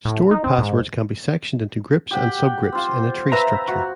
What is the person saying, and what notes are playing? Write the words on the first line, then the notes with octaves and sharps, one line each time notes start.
Stored passwords can be sectioned into groups and subgroups in a tree structure.
A2
D#4
C4
G#2
G4 F#5 G5
C4 F4
B4 E5 A#5
F#4